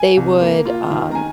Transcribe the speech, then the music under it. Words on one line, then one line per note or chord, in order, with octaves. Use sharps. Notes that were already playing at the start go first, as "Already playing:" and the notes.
They would, um
Already playing: G#5
C2
A#3
F4
D#3
A#5
G#5